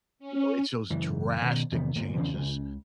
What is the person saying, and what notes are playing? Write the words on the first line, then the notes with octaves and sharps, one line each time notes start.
you know, it's those drastic changes
C#4
F#1 E3
B2 D#3
E2 C3 D#3 B3
D1 G1 A#2 A#3
E2 C#3 E3 C4
C#2 C#3